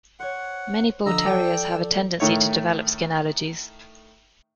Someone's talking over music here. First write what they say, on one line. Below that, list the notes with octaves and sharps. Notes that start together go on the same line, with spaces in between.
Many Bull Terriers have a tendency to develop skin allergies.
C5 C#5 F#5
D3 F3 D#5 A#5 E6
A4 D5 G5
A2 D#3 A3 C#5